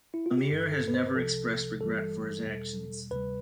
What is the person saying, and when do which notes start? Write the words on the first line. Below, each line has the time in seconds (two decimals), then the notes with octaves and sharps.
Amir has never expressed regret for his actions.
0.14 E4
0.26 F4
0.38 G4
0.50 A1 G2 D3 A4
0.72 A4
0.88 B4
0.94 C5
1.07 B4
1.15 C2 C3 F3 A4
1.81 G1 G2 E3 G3 A4
2.46 E2 B2 G3
3.11 D2 C3 G3 B4